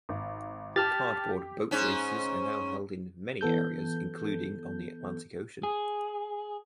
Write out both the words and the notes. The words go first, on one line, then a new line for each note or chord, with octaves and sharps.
Cardboard Boat races are now held in many areas including on the Atlantic Ocean.
G#1
G4 A5 F6 A6
G#2 C#4
E3 B3 A4 G6
G#4